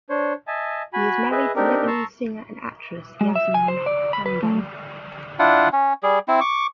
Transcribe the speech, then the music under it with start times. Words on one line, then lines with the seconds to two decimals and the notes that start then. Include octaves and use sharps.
He is married to Lebanese singer and actress Yasmine Hamdan.
0.10 D4 C5 C#5
0.47 D#5 E5 G#5 A5
0.93 F#4 G#5 B5
1.31 G#4 B4 D#5 E5
1.56 C4 D4 D#4 G4 A#4
1.87 A5 A#5 C6 C#6 E6
3.21 G#3
3.35 E5
3.54 G#5
3.68 C5
3.86 D5
4.13 B5
4.26 B4
4.43 A3
5.39 D4 E4 F4 F#5
5.73 C#4
6.03 G3 G#4
6.28 C4 E4
6.41 C#6 D6